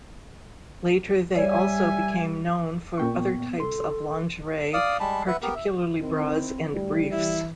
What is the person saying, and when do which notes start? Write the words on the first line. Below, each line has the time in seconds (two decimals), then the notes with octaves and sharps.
Later they also became known for other types of lingerie, particularly bras and briefs.
1.35 G3 C#5 D5 E5 G#5
2.98 A#2 C#4 G5 C#6
3.12 B3
3.60 C2 A4 C6
4.73 D5 F5 D#6
5.00 G3 G#3 A5 B5
5.27 B4 E5 F#5
5.42 B3 G4 A#4
5.55 E5
6.01 D#3 C4 E4
6.74 D2 G3
7.11 E3 E4